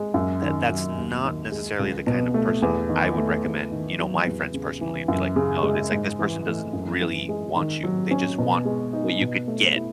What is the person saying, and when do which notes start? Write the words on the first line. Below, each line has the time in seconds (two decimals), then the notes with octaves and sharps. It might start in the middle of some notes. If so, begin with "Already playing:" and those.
tha that's not necessarily the kind of person I would recommend. You know, my friends, personally, would be like, "No. It's like this person doesn't really want you, they just want what you could get.
Already playing: G#3
0.14 F#2
0.42 D#3
0.69 F#3
0.97 D#2
1.25 D#3
1.52 G#3
1.79 C#2
2.07 B2
2.34 A3
2.62 E2
2.89 D#3
3.17 A3
3.44 E2
3.71 D#3
3.99 F#3
4.27 E2
4.54 C#3
4.81 E3
5.08 F#2
5.36 C#3
5.63 G#3
5.91 G#2
6.19 E3
6.46 A3
6.73 F#2
7.01 E3
7.29 G#3
7.56 D#3
7.83 F#3
8.11 C#4
8.38 B2
8.65 G#3
8.93 D#4
9.21 B2
9.48 A3
9.76 E4